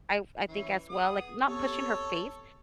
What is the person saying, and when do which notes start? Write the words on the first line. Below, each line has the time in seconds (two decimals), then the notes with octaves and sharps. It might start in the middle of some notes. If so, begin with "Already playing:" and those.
I've I think, as well, like, not pushing her faith,
0.48 E3 C#4
0.90 B3 G#4 D#6
1.47 B3 C4 G4 A4 C#5